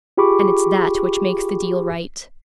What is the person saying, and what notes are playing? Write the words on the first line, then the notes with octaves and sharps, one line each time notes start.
And it's that which makes the deal right.
F4 G4 G#4 B5 C#6 D6